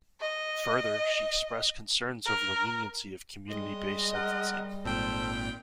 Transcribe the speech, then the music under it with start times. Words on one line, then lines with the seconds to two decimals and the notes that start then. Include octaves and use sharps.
Further, she expressed concerns over the leniency of community-based sentencing.
0.21 D#5
2.26 A#4
3.48 G3 G#3 D#5
4.14 A#4 F#5
4.85 G#1 A#2 A4 C5 G5